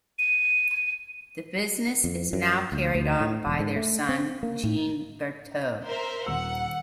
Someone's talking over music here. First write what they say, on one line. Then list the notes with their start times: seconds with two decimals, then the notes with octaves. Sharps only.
The business is now carried on by their son, Jean Berthaut.
0.19 D#7
2.04 F2
2.33 F#2
2.72 D2
2.95 D2
3.20 A2
3.47 E1
3.60 G#2
3.76 A3
4.09 C4
4.43 A#3
4.64 A2
5.86 A#4 C5 E5
6.26 D#1 F#5 E6